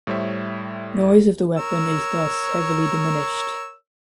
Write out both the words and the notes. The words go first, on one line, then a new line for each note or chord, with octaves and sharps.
Noise of the weapon is thus heavily diminished.
A2 G3 C5 C#5 E5
A#4 C#5 E6